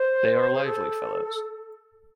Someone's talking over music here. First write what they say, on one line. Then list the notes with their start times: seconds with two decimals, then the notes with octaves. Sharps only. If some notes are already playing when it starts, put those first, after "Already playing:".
They are lively fellows.
Already playing: C5
0.54 G#4
0.64 A4